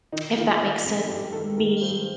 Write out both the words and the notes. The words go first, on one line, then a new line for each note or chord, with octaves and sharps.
if that makes sense. Me,
D#3 D#4
D#3 F4
D#3
F2
A4
G2 G4
D#3 A4
D#3 A#4
G2 C5